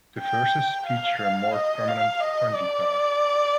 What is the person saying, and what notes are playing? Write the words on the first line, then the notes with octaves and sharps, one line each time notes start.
The verses feature a more prominent funk guitar.
G5
F5
D#5
F5
D#5
D5